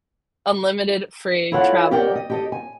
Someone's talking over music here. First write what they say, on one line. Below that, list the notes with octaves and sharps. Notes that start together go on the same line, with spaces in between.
unlimited free travel.
E4 F4 A4 C#5 F#5
G4 A#4 D5 F#5 G5
D#5
G4 A4 D#5
G#5